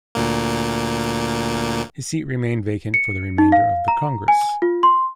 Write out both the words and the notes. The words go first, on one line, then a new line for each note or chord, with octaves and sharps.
His seat remained vacant for the remainder of the Congress.
D2 A#2 A#3
C#7
D#4
F5
A#5
G#5
F4
C6